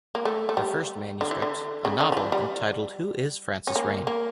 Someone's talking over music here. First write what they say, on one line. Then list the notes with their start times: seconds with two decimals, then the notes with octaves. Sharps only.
Her first manuscript, a novel entitled Who is Frances Rain?
0.15 A#3
0.25 A3
0.49 A3
0.57 G3
1.21 D3
1.31 E3
1.42 D3
1.85 C#3
2.00 D3
2.12 F3
2.17 E3
2.32 G3
3.67 C#4
3.76 A#3
4.07 A#3